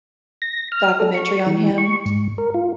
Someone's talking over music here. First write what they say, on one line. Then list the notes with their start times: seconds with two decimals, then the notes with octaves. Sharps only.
documentary on him.
0.42 A#6
0.72 F6
1.00 A4
1.14 C#6
1.47 E3
1.78 C#6
2.06 G#2
2.38 A#4
2.54 F4